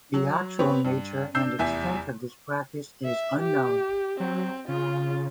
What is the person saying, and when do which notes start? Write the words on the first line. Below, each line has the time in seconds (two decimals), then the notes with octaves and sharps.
The actual nature and extent of this practice is unknown.
0.14 F#3
0.59 B3 C4 G4 B4 C#5
0.85 G2
1.35 D4 E6 G6 C7
1.59 F1 E2 E5 G#5
3.05 E5
3.40 G4
4.20 F#3 C4
4.68 C#3 F4